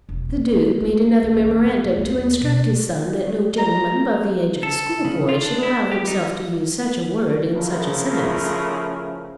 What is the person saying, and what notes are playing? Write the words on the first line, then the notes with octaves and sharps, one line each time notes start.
The Duke made another memorandum to instruct his son that no gentleman above the age of a schoolboy should allow himself to use such a word in such a sense.
E1
C#3
A3
C2
D#3
D1
F2
D4
D#2
B2
A#5
A4
C#3
F4
D4
E4
G4
D#4
C#3 F3 A3 E4 A#4